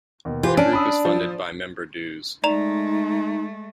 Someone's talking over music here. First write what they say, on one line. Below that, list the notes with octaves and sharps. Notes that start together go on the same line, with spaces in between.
The group is funded by member dues.
D#2 B2
E3 F4 G4 C5
C#4 D4 A5 D7
B5 D#6 E6
F3
G#3 A3 D#4 D5 A#5 F7